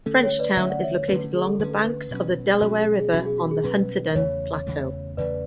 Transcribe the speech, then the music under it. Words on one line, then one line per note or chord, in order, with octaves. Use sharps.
Frenchtown is located along the banks of the Delaware River on the Hunterdon Plateau.
D3 A3 C#4 A4
C#5
B4 D5
D3 A3 C#4 C#5 E5
D5 F#5
C#5 E5
C#5
D3 A3 C#4 B4
G#4
A4
D3 A3 C#4 B4
A4
B4
B2 F#3 C#4
B2 F#3 C#4 F#4
G#4
G#4
B2 F#3 C#4 F#4
G#4
F#4
G#4
B2 F#3 C#4 B4
E2 C#3 E3 A3 C#5
E2 C#3 E3 A3
E2 C#3 E3 A3 B4 D5